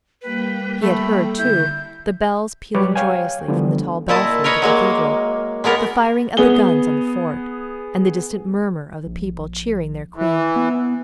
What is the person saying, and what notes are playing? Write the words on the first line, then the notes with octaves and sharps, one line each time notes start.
He had heard, too, the bells pealing joyously from the tall belfry of the Cathedral, the firing of the guns on the fort, and the distant murmur of the people cheering their Queen.
G3 A#3 B4 G5
A3 B5
D3 E4 G6
F#3 G3 G4 B4 C#5 D5
C#5 F5 G5 G#5
D3 E3 F3 G3 B3
A#2 E4 D#5 A5
A#4 B4 C#5 D#5
F#3 G#3 A#3
G#3 A#3 B3 A#4
B3 G#4 G7
A#1
E3
B3